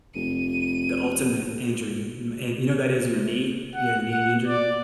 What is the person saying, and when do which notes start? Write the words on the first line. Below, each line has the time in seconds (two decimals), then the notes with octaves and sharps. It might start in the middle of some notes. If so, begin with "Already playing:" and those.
the ultimate injury. M and you know that is in your knee? Yeah, the knee injury.
0.15 F1 D#7
3.75 F#5
4.11 F#5
4.47 D5